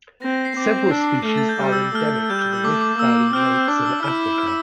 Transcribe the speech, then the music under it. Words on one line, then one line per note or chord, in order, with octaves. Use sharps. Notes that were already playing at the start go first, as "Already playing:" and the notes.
Several species are endemic to the Rift Valley lakes in Africa.
C4 A#6
A#6
C7
C4 D6
D4 E6
A3 F6
A6
G6
G3 F6
E6
A3 F6
G3 G6
F6
E6
A3 D6
D6
A#3 E6
C4 F6
D4 D6
E6
E4 F6
F6
E6